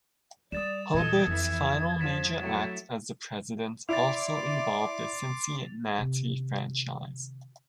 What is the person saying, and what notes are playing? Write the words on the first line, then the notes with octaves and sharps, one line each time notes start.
Hulbert's final major act as president also involved the Cincinnati franchise.
G3 D5 D#6 A6 E7
D#2 A#2 E3 A4 D#5 G#6
F2 E3 E5
F3 A6 B6 E7
F#3 A3 E4
E4 D5 C6 D6 A6 F7
C3 D#3